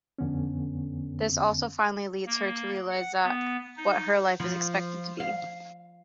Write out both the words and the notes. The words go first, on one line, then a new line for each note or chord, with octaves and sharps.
This also finally leads her to realise what her life is expected to be.
F2 D3 B3 C#4
A#3
F#5
B3
D#4
F3
F5